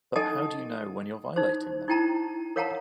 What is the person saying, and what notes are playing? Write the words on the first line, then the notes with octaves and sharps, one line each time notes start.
But how do you know when you're violating them?
D#4 A4 D#5 F#5 G#5 A5
D#4 C5
D#4 E4 G5 A5 A#5
A#4 C#5 F5 F#5 A5 A#5